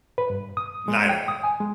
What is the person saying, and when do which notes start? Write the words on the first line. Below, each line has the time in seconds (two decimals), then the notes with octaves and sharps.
Night owl.
0.18 B4
0.30 G2
0.57 D#6
0.88 G#3
1.09 G5
1.28 D#6
1.43 G#5
1.60 G#3